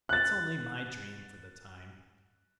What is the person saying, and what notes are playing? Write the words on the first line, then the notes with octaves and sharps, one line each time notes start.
That's only my dream for the time.
F#6 A6